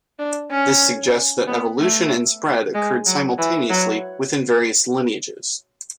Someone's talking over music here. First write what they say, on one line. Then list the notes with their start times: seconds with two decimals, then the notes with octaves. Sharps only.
This suggests that evolution and spread occurred simultaneously within various lineages.
0.19 D4
0.51 C#4
1.47 B3
1.78 A3
2.74 G#3
3.06 F#3
3.38 E3
3.70 F#3